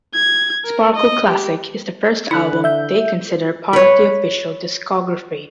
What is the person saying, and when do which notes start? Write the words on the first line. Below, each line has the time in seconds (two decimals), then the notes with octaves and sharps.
"Sparkle Classic" is the first album they consider part of the official discography.
0.14 G#6
0.65 A#4
0.95 D#5
1.27 G4
2.31 D3 E4 B5 F#6
2.64 E5 G6
3.73 B4 C#5